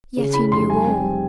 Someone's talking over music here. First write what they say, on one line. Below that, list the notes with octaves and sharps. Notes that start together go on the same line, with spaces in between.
Yet he knew all.
C#3
E3 B5
F1 C6
G3 G#5
C4